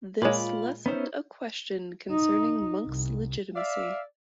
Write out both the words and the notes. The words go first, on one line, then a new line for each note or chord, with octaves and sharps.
This left a question concerning Monck's legitimacy.
A#2 G#3 F4 C#5 F5 B5 D6
B3 C#4 D#4 C5 E5
D#4
C2
D5 E5 F5